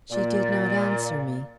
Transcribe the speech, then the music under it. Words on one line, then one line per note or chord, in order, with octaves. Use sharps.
She did not answer me.
A#2 D5